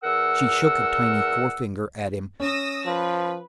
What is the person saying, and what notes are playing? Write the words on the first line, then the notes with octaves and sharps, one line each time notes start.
She shook a tiny forefinger at him.
E2 A#4 F#5 E6
C#4 D#6 E6 A#6
F3 B4